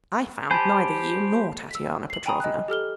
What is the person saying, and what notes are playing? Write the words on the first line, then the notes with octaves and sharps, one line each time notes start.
I found neither you, nor Tatyana Petrovna.
G4 C5 G#5 A5 B5
E6 B6
C7 F#7
G5 G#5 A#5 B5 D#6
D#5 F#6
G4 A4 F6 G7